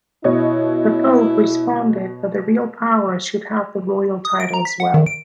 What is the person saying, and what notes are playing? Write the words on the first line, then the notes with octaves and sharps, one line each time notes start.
The pope responded that the real power should have the royal title as well.
B2 E4 C#5 D#5
D#6
D7
A#5
B6
F#5
D#3
D7